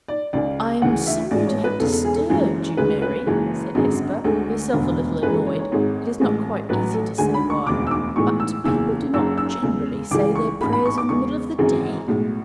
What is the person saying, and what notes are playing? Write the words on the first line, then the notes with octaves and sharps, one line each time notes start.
"I am sorry to have disturbed you, Mary," said Hesper, herself a little annoyed, it is not quite easy to say why; "but people do not generally say their prayers in the middle of the day."
D5
C#2 C#3 G#3 D5
D2 C#3 E3 F#5
E5
A1 G#2 G#3 D5
C#5
B4
E1 E2 C#3 A4
A4
G#4
A4
F#1 F#2 E3 G#3 G#4
D2 C#3 G#3 B4
B4
F#1 F#2 E3 G#3
G#1 F#2 D3 G#3
D2 D3 G#3 A4
E1 D2 D3
F#1 F#2 E3 G#3 B4
A4
C#5
C#5
G#1 G#2 G#3
A1 A2 G#3
A1 A2 F#3 B4
A4
D2 D3 G#3 G#5
B5
C#6
E1 D2 C#3 D6
E6
D6
B1 A2 E3 G#3 C#6
E6
F#1 E2 C#3 E3 E6
F#1 F#2 C#3 F#3 E6
E6
E2 C#3 G#3
C#2 C#3 E3 G#3 D6
C#6
A1 G#2 G#3 B5
B5
C#6
D6
E2 C#3 G#3 C#6
G#1 F#2 C#3 E3 G#3
B1 A2 G#3